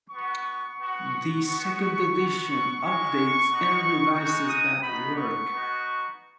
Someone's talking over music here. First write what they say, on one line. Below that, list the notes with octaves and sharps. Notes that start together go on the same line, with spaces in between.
The second edition updates and revises that work.
B3 F#4 C#6
B3 F#4
B3 F#4
B3 F#4
G#3 C#4 F#4 C#6
B3 D#4 F#4
G#3 D#4 F#4 C#6
D#6
B3 D#4 F#4 B5
C#6
B3 D#4 F#4